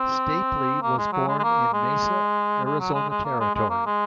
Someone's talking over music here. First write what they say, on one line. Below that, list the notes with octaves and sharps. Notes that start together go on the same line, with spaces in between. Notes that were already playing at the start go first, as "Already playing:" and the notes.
Stapley was born in Mesa, Arizona Territory.
Already playing: C4
A#3
G#3
F#3
G#3
G#3
A#3
G#3
G#3
F#3
G#3
G#3
A#3
G#3
G#3
A#3
G#3